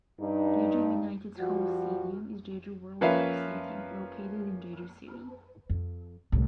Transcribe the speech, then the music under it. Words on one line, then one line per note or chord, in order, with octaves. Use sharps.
Jeju United's home stadium is Jeju World Cup Stadium, located in Jeju City.
G2 D#4
F3 G3 F#4
F3 A#3 C#4 B4 E5 F5
F2
C2 A2